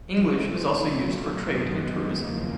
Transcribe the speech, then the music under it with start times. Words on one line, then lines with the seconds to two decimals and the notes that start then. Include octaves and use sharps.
English is also used for trade and tourism.
0.14 G#2 E3 A3 C4
0.78 A#2 F#3 A3
1.41 F#2 D#3 G#3 B3
2.05 E2 C#3 F3 A#3